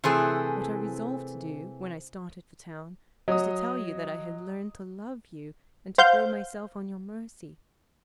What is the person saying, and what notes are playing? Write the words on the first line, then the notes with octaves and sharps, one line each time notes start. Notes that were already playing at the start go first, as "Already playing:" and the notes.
What I resolved to do, when I started for town, was to tell you that I had learned to love you and to throw myself on your mercy.
C3 E3 A3 C4 G#4 A4
F#3 D#5 D#6
C5 F5 F#5 G6